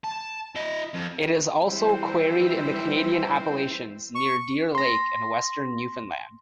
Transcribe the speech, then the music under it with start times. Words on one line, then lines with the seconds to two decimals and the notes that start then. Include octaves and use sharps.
It is also quarried in the Canadian Appalachians near Deer Lake in Western Newfoundland.
0.04 A5
0.56 E4 D#5
0.94 F2
1.65 E3 G3 C4 E4 C5
4.15 C#6
4.75 C6 A#6